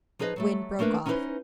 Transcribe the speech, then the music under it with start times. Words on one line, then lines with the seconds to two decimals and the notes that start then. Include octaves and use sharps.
Wind broke off.
0.19 F3 D#4 G#4 B4 D#5
0.36 F#3 G3 A3
0.79 A3 A#3 D4 A#4 B4
1.06 C#4 D#4 E4 A4 B4 C5